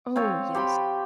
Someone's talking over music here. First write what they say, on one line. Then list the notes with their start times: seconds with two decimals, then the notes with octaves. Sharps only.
Oh, yes.
0.16 C4 F4 C#5
0.55 G4 B5 C6